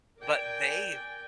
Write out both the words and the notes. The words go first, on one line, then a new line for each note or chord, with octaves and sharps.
but they
A#4 D5 G5 G#5